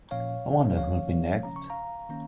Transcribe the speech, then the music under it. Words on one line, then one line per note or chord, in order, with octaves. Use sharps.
I wonder who'll be next?
A#2 F3 C#4 C#5 F5
F3 C#4 C#5 F5
C#3 F3 C#4 A#5
C#6
F5 A#5
D#3 A#3 C#4